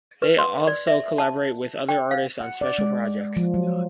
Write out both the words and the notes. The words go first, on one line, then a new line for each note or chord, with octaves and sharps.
They also collaborate with other artists on special projects.
B4
C6
D5
E5
A5
G5
F5
F#5
D5
G#3
F3
F#3